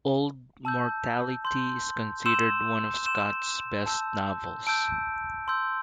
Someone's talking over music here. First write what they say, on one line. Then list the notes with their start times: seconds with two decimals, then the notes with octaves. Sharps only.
"Old Mortality" is considered one of Scott's best novels.
0.65 A5 E6 G6
1.45 C6 G6
2.26 C6 E6 G6 E7
3.06 C6 E6 G6 E7
3.86 A5 E6 G6
4.67 A5 E6 G6 D7
5.48 C6 E6 G6